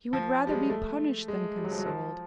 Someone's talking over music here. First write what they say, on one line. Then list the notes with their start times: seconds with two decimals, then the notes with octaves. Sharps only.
He would rather be punished than consoled.
0.13 F3
0.47 G3
0.50 G#3
0.70 A3
1.28 G#3
1.57 G3
1.64 F#3
1.71 F3
1.79 F#3
1.86 F3